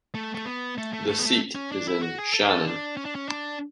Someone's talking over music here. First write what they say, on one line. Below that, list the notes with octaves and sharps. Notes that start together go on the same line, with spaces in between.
The seat is in Shannon.
A3
A3
B3
A3
A3
A3
B3
A3
C#4
D4
E4
F#4
G#4
A4
G#4
A4
D4
C#4
D4
C#4
D4